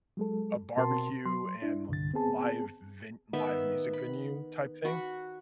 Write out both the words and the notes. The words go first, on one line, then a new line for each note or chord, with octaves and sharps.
a barbecue and live ven live music venue type thing.
F#3 G#3 A4
B2 C4 F#4 A#4 A5 C6
F#3 C6
D4 E4
C2 G2 D3 A6
B3 C4 G#4 A5
D#3 B3 E5 B5
B5
F#4 B5 C#6